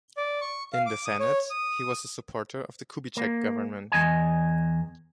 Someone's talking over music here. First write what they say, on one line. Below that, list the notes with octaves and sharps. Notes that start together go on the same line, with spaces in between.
In the Senate, he was a supporter of the Kubitschek government.
D5
C#6
F5
D6
D#6
C#5
D#6
A#3
E2 D#5 G#5